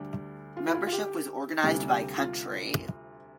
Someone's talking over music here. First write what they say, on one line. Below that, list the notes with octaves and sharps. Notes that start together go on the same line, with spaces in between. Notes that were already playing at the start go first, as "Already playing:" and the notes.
Membership was organized by country.
Already playing: D2 D3 G3 G4
F4
E4
F4
F4
G4
D2 C3 G3 G4
G4
F4